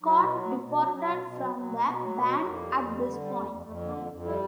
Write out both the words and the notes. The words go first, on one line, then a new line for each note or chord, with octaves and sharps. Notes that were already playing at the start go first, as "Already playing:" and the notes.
Cott departed from the band at this point.
F#3 D#4
B2 E4
F#3 F4
B2 B3
B2
F#3 C#4
F#3 C#4
B2
B2
F#3
F#3
B2
B2 B3
F#3
B2 A#3
F#3
F2 A#3
G3
F2
G3
D3
G3
F2
F2
F2 A3
D3
A#3
F2
F2
G3 E4